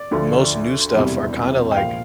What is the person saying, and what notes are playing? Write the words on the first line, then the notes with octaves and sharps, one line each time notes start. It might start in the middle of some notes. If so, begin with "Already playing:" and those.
most new stuff are kinda, like
Already playing: D5
D2 D3 F3
E1 E2 C3 E3 G3
G5
A#1 A#2 F3 F5